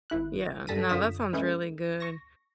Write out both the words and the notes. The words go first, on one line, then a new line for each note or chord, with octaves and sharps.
Yeah, no, that sounds really good.
G#1 E4 F#6
G2 A4 A5 A#6 B6 D#7
F#2 D3 F4 D#6 B6 E7
G#3 A3 C#4 B4
C#6 A#6